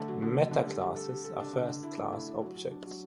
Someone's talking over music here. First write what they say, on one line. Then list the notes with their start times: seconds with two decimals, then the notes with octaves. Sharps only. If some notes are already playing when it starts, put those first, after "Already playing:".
Metaclasses are first class objects.
Already playing: D3 A3
0.08 F#3
0.22 D3
0.37 D3
0.51 D3
0.66 G3
0.81 G3
0.96 A4
1.10 G3
1.24 A4
1.39 D4
1.53 D3
1.69 D3
1.83 E4
1.98 A3
2.12 E4
2.27 E4
2.42 F#3
2.56 F#3
2.71 D4
2.86 F#3